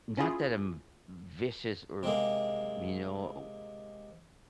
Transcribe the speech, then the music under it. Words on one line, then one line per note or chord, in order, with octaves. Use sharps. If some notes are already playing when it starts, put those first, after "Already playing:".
not that I'm vicious or, you know,
C#4 E4 F4 G#4
C3 G#3 A#3